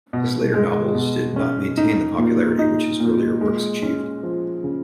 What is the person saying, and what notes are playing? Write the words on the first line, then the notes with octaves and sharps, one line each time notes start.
His later novels did not maintain the popularity which his earlier works achieved.
B2
G#3
B2
C#4
D#4
A#2
D#4
A#2
G#3
C#4
F3
C#3